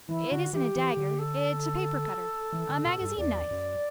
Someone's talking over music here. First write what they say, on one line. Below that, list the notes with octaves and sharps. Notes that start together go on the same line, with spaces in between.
"It isn't a dagger--it's a paper-cutter--a magazine knife."
E3 E4
D3 F#4
E3 G4
E3
D3
A4
E3
D3
B2
G2
E2 D5
F#2